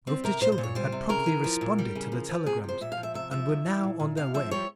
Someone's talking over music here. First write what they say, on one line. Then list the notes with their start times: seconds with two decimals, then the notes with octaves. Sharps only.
Both the children had promptly responded to the telegrams, and were now on their way.
0.07 G3 C4
0.24 C3 A#4
0.41 A#2 C5
0.52 C5
0.58 A#2
0.64 C#5
0.75 G3 C5
0.92 C3
1.09 C#3 A#4
1.26 E3
1.44 F3
1.61 A#2
1.78 G3
1.95 C#3
2.12 F3
2.29 F3
2.46 C3 G#4
2.64 F3 C5
2.81 A#2 E5
2.92 F5
2.97 F3
3.03 E5
3.14 C3 E5
3.31 F3 E5
3.49 C3
3.66 E3
3.83 A#2
4.00 A#2
4.17 C3 F5
4.34 F3 E5
4.51 G3 C#5